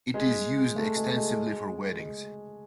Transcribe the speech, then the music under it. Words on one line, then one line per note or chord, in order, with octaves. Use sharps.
It is used extensively for weddings.
G#3
A3
G#3
G#3
G#3